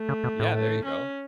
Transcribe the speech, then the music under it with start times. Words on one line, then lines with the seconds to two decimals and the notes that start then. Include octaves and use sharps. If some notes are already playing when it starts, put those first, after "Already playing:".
Yeah, there you go.
Already playing: A3
0.09 C#3
0.24 B2
0.40 A2
0.54 A3
0.85 C#4